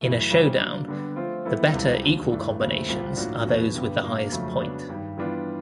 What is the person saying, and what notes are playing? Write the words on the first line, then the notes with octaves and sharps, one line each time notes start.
In a showdown, the better equal combinations are those with the highest point.
F#2 C#3 E3 A3
C#3 E3 G3 C4
F#3 A#3 D4
D3 G3 B3 D4
F3 A3 C4 F4
E3 G3 B3 E4 A4
C#2 C3 E3 G3
D#2 D3 F#3
G2 E3 A3 D4
D#2 C#3 F#3 A3 C4
C2 A#2 G3 C4 F4
A2 F3 A#3 D4 F#4
E2 B2 F#3 B3
G2 D3 G3 B3
B2 G3 A#3 D4
F2 C#3 F#3 A3
C#3 F#3 B3 D4
G2 D#3 G3
E3 G3 B3 D4 F4